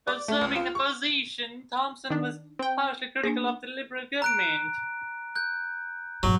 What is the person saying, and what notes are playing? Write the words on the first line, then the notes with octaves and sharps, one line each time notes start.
While serving in opposition, Thompson was harshly critical of the Liberal government.
D5
A3
C#2
F4
C#6
D#3 D4
C4 G5
A#3 D4 G#4
A#5 F#6 D7
F#6 G6
A#1 G2 F#3